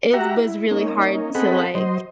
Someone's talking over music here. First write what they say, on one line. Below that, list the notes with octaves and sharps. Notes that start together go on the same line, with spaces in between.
it was really hard to, like,
F#4 G4 E5 F#5 A#5
E4
A#3 C#4 D#4
C4 G#4 A4 D#5 F#5 B5
F#3 C5 D#5